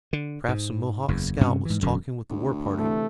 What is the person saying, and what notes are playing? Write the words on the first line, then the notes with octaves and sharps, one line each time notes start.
"Perhaps a Mohawk scout was talking with the war-party."
D3
G#2
F#1 E2
G2 C3 C#4
G#2 E3
E1 F#2 D3
D2
C3 E3 A3